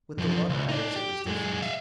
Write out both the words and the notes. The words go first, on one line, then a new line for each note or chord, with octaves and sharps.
With the Water-Adders it was different.
F#2 F3
C#2
D#4 D5
G4
F#2 G#3
E5 F5